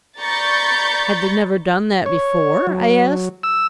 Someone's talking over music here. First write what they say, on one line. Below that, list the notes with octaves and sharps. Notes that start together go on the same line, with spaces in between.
"Had they never done that before?" I asked.
D5 A#5 B5 C#6 G6 A6
C#5
F#3
E6